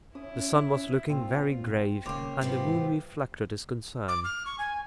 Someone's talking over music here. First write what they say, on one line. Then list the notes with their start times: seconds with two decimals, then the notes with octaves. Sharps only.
The sun was looking very grave, and the moon reflected his concern.
0.15 C#4 E4 D#6
1.09 A#2 C4 F4
2.06 D#1 C#3 A#3 C#5 G5 C6 D6
2.41 G#2 C3 F#3 B3 C4 F4
4.08 D6
4.24 F6
4.46 C#6
4.59 G#5